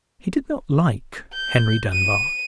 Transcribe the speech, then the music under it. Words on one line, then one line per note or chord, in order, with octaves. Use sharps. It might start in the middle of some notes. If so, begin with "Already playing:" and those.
He did not like Henry Dunbar.
G6
D#7